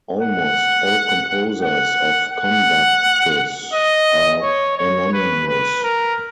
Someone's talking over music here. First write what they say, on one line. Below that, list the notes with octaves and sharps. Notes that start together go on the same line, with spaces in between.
Almost all composers of conductus are anonymous.
F#5
F#5
F#5
D#5
C#5
C#5
B4
B4
A#4